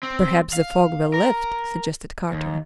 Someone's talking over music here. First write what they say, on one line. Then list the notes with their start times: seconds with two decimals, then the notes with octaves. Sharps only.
"Perhaps the fog will lift?" suggested Carter.
0.03 C4
0.53 F5
1.14 A#4
2.32 D#2